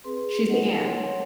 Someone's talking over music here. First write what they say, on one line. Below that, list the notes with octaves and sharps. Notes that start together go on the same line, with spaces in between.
She's the aunt.
C4 G#4 B4 C6
G#4
F#3 G#3 A#3 D#4 D#5 F#5
C#5 F#5 C6